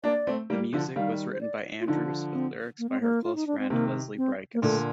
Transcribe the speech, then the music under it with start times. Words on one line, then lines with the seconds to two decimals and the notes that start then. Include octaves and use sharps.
The music was written by Andrews with lyrics by her close friend Leslie Bricusse.
0.04 A#3 D4 D5
0.27 A3 C4
0.50 G3 A#3
0.73 D3 F3
0.96 D#3 G3 F5
1.33 C5
1.41 D5
1.80 F4
1.87 D3 F3 D#4
2.34 C4
2.79 A#3
2.89 C4
3.01 A#3
3.24 F4
3.35 D#4
3.47 D4
3.59 C4
3.70 C3 D#3 A#3
4.17 C4
4.54 A#3
4.62 A#2 D3 A3